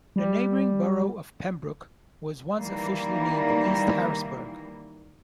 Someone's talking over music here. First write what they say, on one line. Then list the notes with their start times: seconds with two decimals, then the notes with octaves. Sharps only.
The neighboring Borough of Penbrook was once officially named "East Harrisburg".
0.16 G3
2.58 D#3 E3 G3 A#3